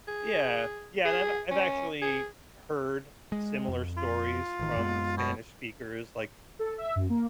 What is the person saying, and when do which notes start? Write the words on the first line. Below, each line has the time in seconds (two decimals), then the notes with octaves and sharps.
Yeah. Yeah, and I've I've actually heard similar stories from Spanish speakers, like,
0.08 G#4
1.05 G#4
1.51 C#4
2.02 G#4
3.32 G#3
3.68 F2
3.97 F4
4.60 A1 D#3
4.77 F#2 G#3 B3
5.17 B2
6.59 A4
6.78 E5
6.96 F#2
7.10 A#3